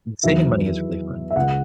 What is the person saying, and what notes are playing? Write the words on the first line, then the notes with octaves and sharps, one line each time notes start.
saving money is really fun.
E2 D#3 F#3 E5
E5
C#2 C#3 G#3 F#5